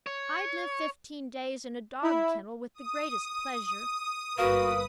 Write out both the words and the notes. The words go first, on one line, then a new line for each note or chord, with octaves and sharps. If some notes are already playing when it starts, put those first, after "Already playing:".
I'd live fifteen days in a dog-kennel with the greatest pleasure.
C#5
E4
D#6
G1 A#3 F#4 B4